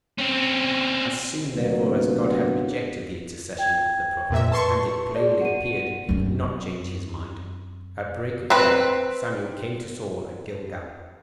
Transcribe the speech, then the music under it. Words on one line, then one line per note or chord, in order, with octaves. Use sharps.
As soon therefore as God had rejected the intercession of the prophet, and it plainly appeared he would not change his mind, at break of day Samuel came to Saul at Gilgal.
C4 C#4
D2 C3 F#3 A#3 B3
G5 G#6
F2 A#2 E5
B4 A5 C6 C#6
G#4 D5
F#5 D#7
F#2 C4
C4 B4